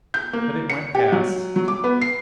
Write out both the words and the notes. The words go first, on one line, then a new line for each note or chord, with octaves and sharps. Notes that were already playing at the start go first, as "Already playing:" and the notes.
But it went past.
G6
A#3
C#7
G4
F#3
F#3
D6
B3
C7